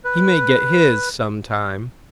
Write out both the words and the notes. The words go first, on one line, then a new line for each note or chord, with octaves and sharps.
"He may get his some time."
B4